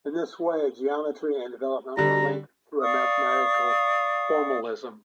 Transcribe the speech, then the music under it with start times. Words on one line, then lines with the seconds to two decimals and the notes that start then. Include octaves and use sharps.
In this way, geometry and development were linked through a mathematical formalism.
1.97 D3 G3 A#5
2.80 D5 F5 C#6 D#6